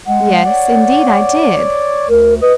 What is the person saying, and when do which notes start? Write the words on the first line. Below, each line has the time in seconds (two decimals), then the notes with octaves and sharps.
"Yes, indeed, I did."
0.07 G#3 F#5
0.46 C#5 D5
2.09 D2 A#4
2.41 B4 D#5